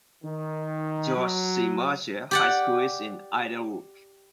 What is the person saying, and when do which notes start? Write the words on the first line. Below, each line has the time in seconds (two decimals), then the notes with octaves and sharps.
George C. Marshall High School is in Idylwood.
0.24 D#3
1.17 F#3
2.31 G4 D5 F#5